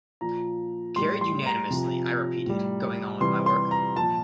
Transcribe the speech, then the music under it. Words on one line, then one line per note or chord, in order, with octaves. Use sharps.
"Carried unanimously," I repeated, going on with my work.
A#2 F3 A#5
A2 G3 C6
C6
A#5
C3 F3
A2 G3
C3 E3 G3 C6
C6
A#5
A#2 F3 A5